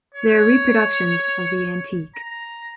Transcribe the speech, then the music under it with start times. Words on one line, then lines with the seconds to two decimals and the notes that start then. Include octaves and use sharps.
They are reproductions of the antique.
0.14 C#5
2.15 A#5